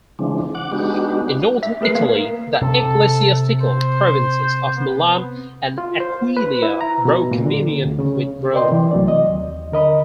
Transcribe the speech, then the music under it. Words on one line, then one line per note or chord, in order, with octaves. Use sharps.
In Northern Italy the ecclesiastical provinces of Milan and Aquileia broke communion with Rome.
C#3 E3 F3 G#3 C4 D4
F#5 D6
G#3 B3 D4 D#4 F#4 G4
E5
A3 G#4 A#4 B4 C7
A#3
A#4
C3 A4
C5
B3
F4
C5
B4
E4
A#5
B2
A#2
D3
D2
C#3
A#4 B4 D5 D#5 G5 C6
C3 E3
C2 F#3 A3 C4 D5
D#5
D#2
D3 A#4 D#5 B5